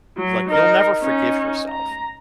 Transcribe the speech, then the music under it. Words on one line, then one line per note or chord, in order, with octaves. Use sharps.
like, "You'll never forgive yourself,"
F#3
D#4 A#4
C#4 D#4
A#5